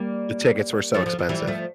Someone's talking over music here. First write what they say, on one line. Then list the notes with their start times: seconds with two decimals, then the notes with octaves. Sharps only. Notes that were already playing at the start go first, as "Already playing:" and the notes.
The tickets were so expensive.
Already playing: G3 A#3
0.94 F3 A3
1.06 F3
1.19 F3
1.29 E3 G3
1.47 F3 A3